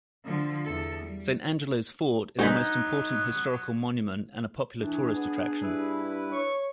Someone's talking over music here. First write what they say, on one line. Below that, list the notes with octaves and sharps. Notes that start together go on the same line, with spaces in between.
Saint Angelo's fort is a most important historical monument and a popular tourist attraction.
D3 F3
E2 A4
G3
D2 F#3 B3 D#4 G#5 B5
E3 D4 G#4
B3
G2 E4 B4
C#5 C#6